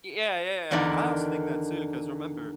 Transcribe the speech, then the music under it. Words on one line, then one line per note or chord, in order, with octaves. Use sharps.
Y yeah, yeah, I also think that too 'cause remember,
E2 D3 D#3 A#4 D5 B5